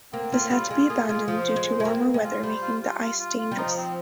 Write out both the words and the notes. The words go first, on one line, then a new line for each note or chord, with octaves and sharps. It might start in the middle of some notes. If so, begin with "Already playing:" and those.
This had to be abandoned due to warmer weather making the ice dangerous.
A#3 C4
A#3 F4
G3 F4
G#3 F4
A#3 G#4
G#3 F4
F3 F4
C5
G#3
C5
G#3
A#3 C4
C4
G#3
F4
G3 C5
F4
F4
F4
F4
F4
G3
F3 D#4
C4